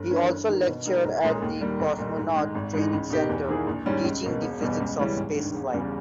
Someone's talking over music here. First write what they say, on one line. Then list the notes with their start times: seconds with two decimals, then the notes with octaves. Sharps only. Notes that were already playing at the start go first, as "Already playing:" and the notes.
He also lectured at the Cosmonaut Training Centre, teaching the physics of spaceflight.
Already playing: G1
0.11 G2 E3 A#3 C#4
0.29 G2
0.48 D#3 A#3
0.66 B2
0.86 G3 A#3 D#4
1.04 B1
1.24 A#2 G#3 C#4 G#4
1.42 D#2
1.61 D#3 G3 A#3
1.80 B1
1.98 A#2 G3
2.18 G#2
2.36 D#3 G#3
2.55 G#1
2.74 G#2 E3 G#3 D#4
2.93 C#2
3.10 B2 A#3 D#4 G4
3.29 E2
3.49 D#3 A#3 E4 G#4
3.67 A#1
3.86 G#2 D#3 G3 C#4
4.04 C#2
4.23 B2 A#3
4.41 E1
4.61 E2 B2 G3
4.80 C#2
4.98 C#3 E3 G3 C#4
5.17 G#1
5.35 G2 D#3
5.54 E1
5.74 E2 C#3 G3